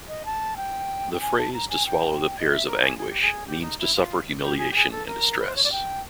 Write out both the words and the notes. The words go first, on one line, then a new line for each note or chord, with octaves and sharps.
The phrase "to swallow the pears of anguish" means to suffer humiliations and distress.
D#5
A5
G5
G5
G#5
A5
A#5
G#5
G5
D#5
E5
A#4
G#4
G#4
G4
G#4
G4
D#4
E4
F4
G4
G#4
G4
G#4
A4
A#4
B4
C5
C#5
D5
G5